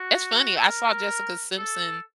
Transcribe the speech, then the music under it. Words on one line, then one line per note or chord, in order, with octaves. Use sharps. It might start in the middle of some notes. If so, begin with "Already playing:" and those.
it's funny, I saw Jessica Simpson,
Already playing: F#4
A4
A#4
A4